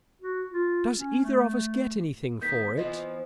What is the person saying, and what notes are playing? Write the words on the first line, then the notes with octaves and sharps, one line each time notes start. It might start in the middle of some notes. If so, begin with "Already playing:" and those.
"Does either of us get anything for it?"
F#4
F4
C#4
A3
D#3 B3 G6 B6
E3 F3 B3 D#5